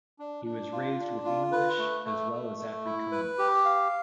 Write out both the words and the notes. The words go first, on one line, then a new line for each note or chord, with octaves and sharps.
He was raised with English as well as Afrikaans.
D4
D4
F4
D4
F4
B4
A3
A3
A3
A3
E4
B4
G4
F5